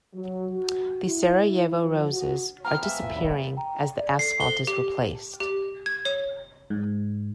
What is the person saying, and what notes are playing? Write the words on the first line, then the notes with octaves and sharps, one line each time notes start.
The Sarajevo roses are disappearing as the asphalt is replaced.
F#3
F#4
E4
F3
F#4
F3 B3 G4 G5 A#5 F6
E5 G#5
F1 A#2 E4 F4
E2 C#3 G3 A#3
G5 A#5
D5
A4 C7
A4 C5 G7
G4
G4
G#6
C#5
G#2